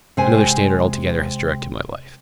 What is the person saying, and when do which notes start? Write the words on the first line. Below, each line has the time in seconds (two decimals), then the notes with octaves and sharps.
Another standard altogether has directed my life....
0.17 C3 G#3 C5 G#5